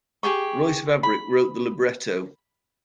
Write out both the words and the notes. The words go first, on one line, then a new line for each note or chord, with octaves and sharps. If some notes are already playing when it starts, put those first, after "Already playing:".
Royce Vavrek wrote the libretto.
G4 G#4 G5 C#6
B5